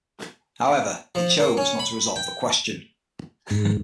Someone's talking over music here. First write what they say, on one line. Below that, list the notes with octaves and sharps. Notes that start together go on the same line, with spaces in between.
However, it chose not to resolve the question.
F3
A#3
C#4
B5
G5
G#2